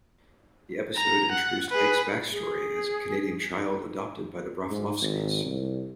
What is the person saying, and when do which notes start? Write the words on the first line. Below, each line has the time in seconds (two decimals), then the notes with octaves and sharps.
The episode introduced Ike's backstory as a Canadian child adopted by the Broflovskis.
0.96 A#5
1.31 F#5
1.70 G#4 B4
2.32 G#4
4.71 G#2
5.01 G#1
5.45 C2